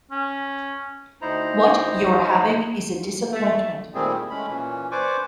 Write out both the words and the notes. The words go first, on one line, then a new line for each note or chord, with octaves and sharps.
What you're having is a disappointment.
C#4
D2 D#4 E4 C5 A#5
A3
A#2 D#3 G3 A3 C4 G#4
E4
G#3 A3 C#4 B5
A#2 E3 C#4
B4 C5 D5 G#5 C#6 D6